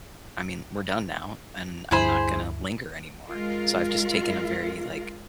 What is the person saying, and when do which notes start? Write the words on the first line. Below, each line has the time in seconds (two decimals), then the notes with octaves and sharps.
I mean, we're done now," and I'm not gonna linger anymore. So, I've just taken a very, like
1.91 D2 G2 E4 G#4 C5 B5
3.29 G#3 F4 A#4